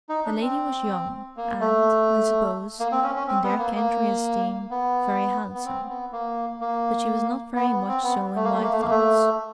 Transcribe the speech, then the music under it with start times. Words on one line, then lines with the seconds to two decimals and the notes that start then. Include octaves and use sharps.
The lady was young, and, I suppose, in their country esteem, very handsome, but she was not very much so in my thoughts.
0.09 D#4
0.25 D4
0.41 C4
1.37 A#3
1.60 A3
2.80 A#3
2.92 C4
3.03 C#4
3.15 C#4
3.27 C4
3.43 B3
3.59 A#3
3.75 A#3
4.71 B3
5.54 B3
5.65 C4
5.89 B3
6.12 A#3
6.61 A#3
7.55 B3
7.72 B3
7.88 C4
8.03 B3
8.36 A3
8.44 A#3
8.53 A3
8.63 A#3
8.72 A3
8.82 A#3
8.91 A3